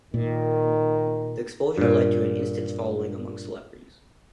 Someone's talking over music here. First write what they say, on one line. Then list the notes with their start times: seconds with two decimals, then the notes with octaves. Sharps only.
The exposure led to an instant following among celebrities.
0.14 A#2 D#3
1.78 G2 A#2